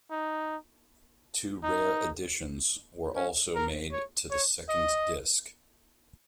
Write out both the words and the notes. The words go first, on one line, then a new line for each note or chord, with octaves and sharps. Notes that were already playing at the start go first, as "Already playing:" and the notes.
Two rare additions were also made to the second disc.
D#4
D#4
C#4
A#4
C#5
C#5
D#5